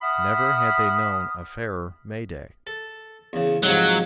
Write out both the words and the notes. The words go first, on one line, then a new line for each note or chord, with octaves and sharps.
Never had they known a fairer May-day.
E5 F#5 B5 D#6 F6
A4
E2 C#3
G#2 C3 F3 F#3